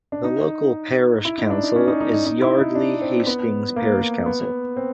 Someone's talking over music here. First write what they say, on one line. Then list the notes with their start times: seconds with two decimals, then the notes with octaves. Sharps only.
The local parish council is Yardley Hastings Parish Council.
0.12 D4
0.24 D#4
1.25 E4
1.38 D#4
1.50 D4
1.63 D#4
1.76 C#4
1.87 D#4
2.01 D#4
2.12 D#4
2.26 D#4
2.42 E4
2.59 D#4
2.75 D4
3.02 C4
3.27 B3
3.76 A#3
4.26 B3
4.77 C4